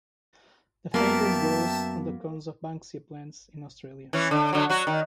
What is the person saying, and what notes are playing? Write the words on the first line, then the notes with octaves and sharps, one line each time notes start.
The fungus grows on the cones of "Banksia" plants in Australia.
F#2 F#3 A#3 B3 A#4 E5 G5 A5
E3 C#4
D3
D3 F#3
F#3 F#4
D#3